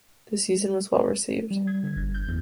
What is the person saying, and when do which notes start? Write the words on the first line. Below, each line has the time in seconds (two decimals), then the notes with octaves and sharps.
The season was well received.
1.50 G3
1.67 G#6
1.83 D3
1.96 G1
2.14 G6
2.28 E2